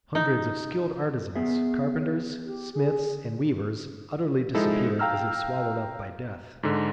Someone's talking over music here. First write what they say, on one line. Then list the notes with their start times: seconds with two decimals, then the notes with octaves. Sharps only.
Hundreds of skilled artisans--carpenters, smiths, and weavers--utterly disappeared as if swallowed up by death.
0.15 D#4
1.35 B3 G#4 E5
2.45 G4
2.73 G#4
4.54 F3 G#3 D#4 E4 A4
4.99 F5 G5 A#5 E6 F6
6.63 G#2 D3